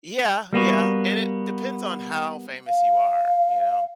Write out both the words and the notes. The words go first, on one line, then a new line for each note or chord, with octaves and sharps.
Yeah, yeah, and it depends on how famous you are, you know?
G3 A#3 B3 F#4
F5